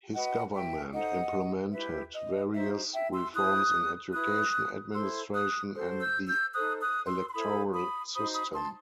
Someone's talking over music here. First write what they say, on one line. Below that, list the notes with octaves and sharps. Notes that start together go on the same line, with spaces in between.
His government implemented various reforms in education, administration and the electoral system.
F#4 B4 D#5 F#5
E5 G5
D#4 A4 C5 D#5 F#5
E4 G4 B4 E5
D#5
D#4 F#4 C5 E5
E5 G5
C6 E6
E4 G4 C5 D#6 F#6
E4 B4 D#6 F#6
E4 A4 C5 C6 E6
D#6 F#6
F#4 A4 C5
E6 G6
E6 G6
D#4 A4 C5 D#6 F#6
D#6 F#6
C6 E6
C6
E4 A4 C5 B5 D#6
B5 D#6
D#4 F#4 C5 B5 D#6
B5 D#6
A5 C6